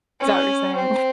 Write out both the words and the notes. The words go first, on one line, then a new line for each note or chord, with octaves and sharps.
Is that what you're saying?
C#4
C4